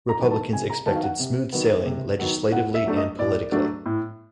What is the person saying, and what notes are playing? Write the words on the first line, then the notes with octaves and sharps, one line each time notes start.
Republicans expected smooth sailing legislatively and politically.
A#5
D#3 F#3 B3
A5
C3 G#5
A#5
D#3 F#3 B3 A5
F5
F#5
C3
D#3 F#3 B3
C3
D#3 F#3 B3
A2 F#5
E5
F#3 A3 D4
D#5
A2 D5
F#3 A3 D4
A2